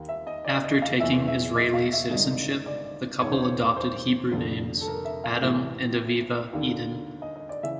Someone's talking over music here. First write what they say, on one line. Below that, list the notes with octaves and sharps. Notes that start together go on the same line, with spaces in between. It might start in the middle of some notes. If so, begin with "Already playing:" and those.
After taking Israeli citizenship, the couple adopted Hebrew names: Adam and Aviva Eden.
Already playing: D#2 D#3
E5
D#5
D5
D#5
F5
F#1 E2 B2 E5
E5
D#5
F5
E5
G#1 G2 D3 D#5
D5
E1 D#2 D#3 C#5
C5
C#5
C5
F1 F2 D3
A4
A#4
E5
F5
A1 A2 E3 E5
D#2 D3
D#5
D#5
D5
C#3 E3 E5